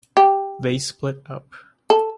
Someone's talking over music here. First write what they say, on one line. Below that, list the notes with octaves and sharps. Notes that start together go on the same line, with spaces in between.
They split up.
G4
A4